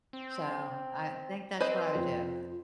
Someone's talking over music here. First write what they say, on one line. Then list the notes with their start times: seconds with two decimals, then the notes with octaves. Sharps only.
So I think that's what I would do,
0.13 C4
1.60 C4 B4 C5 D#5
1.95 F2 F4